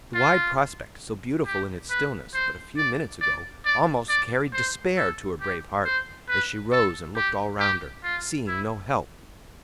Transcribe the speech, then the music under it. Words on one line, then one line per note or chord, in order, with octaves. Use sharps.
The wide prospect, so beautiful in its stillness but a few minutes ago, almost carried despair to her brave heart, as she rose and looked all round her, seeing no help.
F4
G4
B4
C5
D5
D5
D5
D5
C5
A4
G4
C5
B4
A4
G4
G4
F4
E4